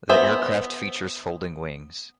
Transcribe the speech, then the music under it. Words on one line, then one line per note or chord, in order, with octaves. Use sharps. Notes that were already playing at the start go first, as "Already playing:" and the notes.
The aircraft features folding wings.
B3 C5 E5